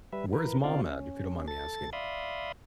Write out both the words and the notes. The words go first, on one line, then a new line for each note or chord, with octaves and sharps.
Where's mom at? If you don't mind me asking.
G3 B4 E5
E3 A#4 B4
C#3 C4 D#4 F4 D5 F5
C#4
A4 A6
D5 E5 F5 B5 C6 D#6